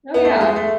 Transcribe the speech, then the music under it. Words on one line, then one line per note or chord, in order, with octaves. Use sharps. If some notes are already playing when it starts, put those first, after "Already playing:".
Oh, yeah.
B3
A3
G#3
A3